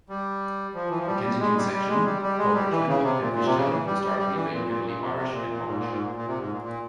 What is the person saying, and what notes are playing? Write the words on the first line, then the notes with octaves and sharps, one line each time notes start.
The Kensington section, Port Richmond, and Fishtown have historically been heavily Irish and Polish.
G3
F3
E3
F3
G3
G3
G#3
G3
G3
G#3
G3
G3
G#3
G3
E3
C#3
C3
A#2
A#2
C3
C#3
E3
G3
G3
G3
E3
A#2
A#2
A#2
C3
C3
A#2
A#2
G#2
A#2
G#2
A#2
A#2
C3
G#2
A#2
A#2